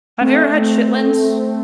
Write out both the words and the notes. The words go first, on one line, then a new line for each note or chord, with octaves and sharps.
Have you ever had chitlins?
A3 C4